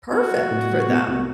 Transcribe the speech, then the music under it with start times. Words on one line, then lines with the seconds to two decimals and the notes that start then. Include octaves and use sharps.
perfect for them,
0.12 B3 F#4
0.31 F#3
0.51 A2
0.69 G3
0.88 B2
1.08 C2